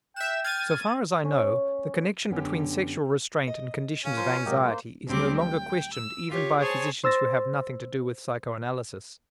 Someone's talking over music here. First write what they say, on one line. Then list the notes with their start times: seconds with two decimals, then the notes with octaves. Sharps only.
So far as I know, the connection between sexual restraint and conditions of anxiety is no longer questioned even by physicians who have nothing to do with psychoanalysis.
0.16 E5 G5 F#6 E7
0.44 F6 G#6 A6 D#7
1.25 C#4
2.31 F#2 D3 B3 C#4 G4
3.47 D#5
4.05 C#3 C#4
4.17 F3 A#4 C5 C6
4.46 A#2 F#3 G#3 G4 A#4 D#5
4.65 A#3 C5
5.07 D2 F#3 G3 C4 G4 D6
5.39 G5
5.93 E6
6.28 F4 G4 C#5
6.59 G#4 C5 C#5 G#5 A5
7.03 C5 E6 A6 A#6